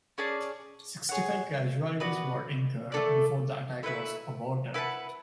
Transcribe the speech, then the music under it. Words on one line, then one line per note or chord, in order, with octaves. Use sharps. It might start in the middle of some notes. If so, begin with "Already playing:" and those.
Sixty-five casualties were incurred before the attack was aborted.
C#4 G#4 D5 A5
G#4 C#5 F#5
B3 F#4 B4 D5
A3 D4 A4 D5
A3 E4 B4 E5
E4 B4 F#5 A5